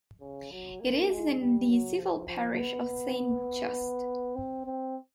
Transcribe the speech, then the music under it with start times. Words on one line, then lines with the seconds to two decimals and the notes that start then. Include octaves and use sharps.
It is in the civil parish of Saint Just.
0.20 C#3
0.51 F#3
0.80 A#3
1.10 G#3
1.39 G3
1.69 F#3
1.98 F3
2.28 F3
2.57 B3
4.35 C4
4.65 C4